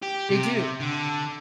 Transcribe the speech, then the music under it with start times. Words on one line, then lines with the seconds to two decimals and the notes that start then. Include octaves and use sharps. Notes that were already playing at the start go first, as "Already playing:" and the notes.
They do.
0.02 G4
0.30 C3
0.80 D3